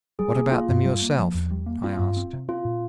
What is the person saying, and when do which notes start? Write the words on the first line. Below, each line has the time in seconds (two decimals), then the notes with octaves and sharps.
"What about them yourself?" I asked.
0.19 G3 G#4
0.36 A#3
0.52 A#3 F4
0.69 G2
0.85 G3
1.02 A#3
1.18 F3
1.34 E2
1.51 G3
1.66 A#3
1.83 C4 F4
1.99 G2
2.17 C4
2.33 C3
2.49 C4 F4
2.65 A#2